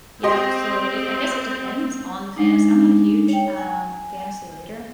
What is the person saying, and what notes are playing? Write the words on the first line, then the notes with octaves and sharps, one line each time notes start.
Yep, so it I guess it depends on the fantas I'm not a huge, um, fantasy reader.
C4 G4 D#5 C6
G#3 D4 D#4
C#5 G5
G#5